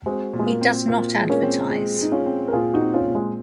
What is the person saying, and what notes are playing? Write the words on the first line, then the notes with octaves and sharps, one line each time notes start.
He does not advertise.
G#3 C4 F#4
A#2
G#3
A#3
C4
A#2 A#3
G#3
A#3 C#4
C4
G#3
G#3 D#4
C#4 F4
C4
A#4
A#2 F4 G#4
D#4 F#4
C4
C#4 F4
A#2
G#3